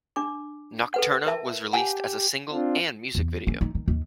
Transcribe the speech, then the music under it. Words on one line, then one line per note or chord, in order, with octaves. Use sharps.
"Nocturna" was released as a single and music video.
D4 D6
A4 B4 F#5
A#4 E5 A5
G4 F#5 G#5 A5
C4 D4 F4
E2
C#4
D#4
D#3
D#2